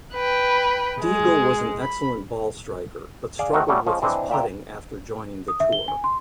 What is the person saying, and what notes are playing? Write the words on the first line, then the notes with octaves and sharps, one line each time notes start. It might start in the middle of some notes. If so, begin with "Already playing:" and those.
Diegel was an excellent ball-striker, but struggled with his putting after joining the tour.
B4 G5
G#3
B5
G#4 D5 F5
D#3 A3 C4 F#4 A#4
F#3 G3 A3 C#4
F3 G#3 C#4
E3 C4 D4 D#5
A#2 E5 G5 A#5
D#6
E5
G7
G#5
C6